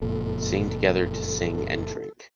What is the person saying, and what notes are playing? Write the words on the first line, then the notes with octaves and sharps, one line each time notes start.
Sing together to sing and drink.
F#1 F2 A#2 A4